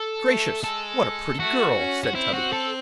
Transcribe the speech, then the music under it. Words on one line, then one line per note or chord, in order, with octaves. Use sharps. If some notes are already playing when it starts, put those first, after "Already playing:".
'Gracious! what a pretty girl!' said Tubby.
Already playing: A4
A3
G#3 A4
A3 F#4
C#4
F#4
C4 E4
F#4
A4